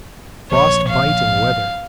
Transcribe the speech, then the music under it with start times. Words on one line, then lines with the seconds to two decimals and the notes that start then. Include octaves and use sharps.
Frostbiting weather!
0.51 A#1 C#5
0.88 F5